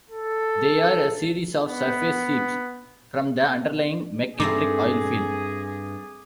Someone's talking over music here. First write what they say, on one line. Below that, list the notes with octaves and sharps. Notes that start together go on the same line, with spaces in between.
They are a series of surface seeps from the underlying McKittrick Oil Field.
A4
B3
G2 A3 C4 D#4 G#4 D6